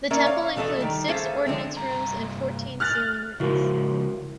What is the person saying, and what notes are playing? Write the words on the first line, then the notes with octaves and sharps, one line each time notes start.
The temple includes six ordinance rooms and fourteen sealing rooms.
A#3 C#4 A#4 D5 E5
C#5 F5
B2 E3 A3 D#4 A4 D#5
D#3 G3
A3 G#4 A4 C5 E5 F5
D3 F3 G#3 C4
G2 C3 A#5
F6 F#6 A6
C#3 F3 G#3 E4 F#4 A#4